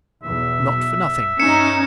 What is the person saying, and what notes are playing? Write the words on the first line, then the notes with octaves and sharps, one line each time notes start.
Not for nothing!
B1 E2 E5
G2 C#4 D#4 C#7 E7